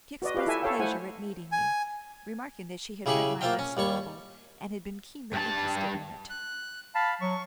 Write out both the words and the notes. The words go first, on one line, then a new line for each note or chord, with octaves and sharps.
She expressed pleasure at meeting me, remarking that she had read my last novel, and had been keenly interested in it.
F#4 B4 D5 D#5
F4 G4 B4 F5
E4 A4 E5 G#5
A4 C#5 E5 F5 G5
A3 E4 C5 F#5 G#5
G#5
C#3 E4 G4 G#4 B5 C#6
A#3 F4 C5 E5 F5 G5
C#4
D#2 G3 C#5 C#6
G2 A5
F#6
F5 A5 B5
F#3 C#6